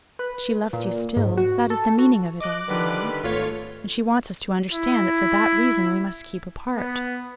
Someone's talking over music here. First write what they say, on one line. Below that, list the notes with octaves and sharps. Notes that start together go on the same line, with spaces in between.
She loves you still,--that is the meaning of it all, you know--and she wants us to understand that for that reason we must keep apart.
B4
A#2
G#2
F#4
A4
F#4
D#5 D6 F#6
D3 D#3 G3 B4
G#1 A3 F4 C#5
E4
B3